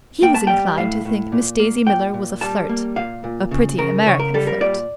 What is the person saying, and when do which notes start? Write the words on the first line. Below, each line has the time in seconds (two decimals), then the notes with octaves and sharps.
He was inclined to think Miss Daisy Miller was a flirt--a pretty American flirt.
0.22 A#3 G5
0.34 A5
0.47 G3 G5
0.77 A2 F5
1.05 A2
1.32 A#2
1.60 A#3
1.87 A#2 G5
2.14 A#2
2.41 G3 A5
2.69 A#3
2.96 A#2 F5
3.24 A#2
3.51 C#3
3.78 C#3 A#4
4.06 C#3 C#5
4.19 A#4
4.34 G3 A4
4.47 A#4
4.61 A#2 D5